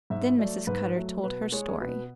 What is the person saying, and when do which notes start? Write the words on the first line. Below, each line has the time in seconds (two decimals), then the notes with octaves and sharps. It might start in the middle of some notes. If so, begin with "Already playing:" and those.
Then Mrs. Cutter told her story.
0.10 G#2 E5
0.39 F#3 A3 D5
0.67 G#2 B4
0.96 F#3 A3
1.24 B2 B4
1.52 G#3 C#5
1.80 B2 B4